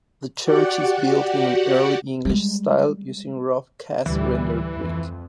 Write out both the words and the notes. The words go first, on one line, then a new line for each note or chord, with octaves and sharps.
The church is built in an Early English style using roughcast rendered brick.
F#4 G4 D5 F#5
G3 G#3
D2 A2 E3 G3
F2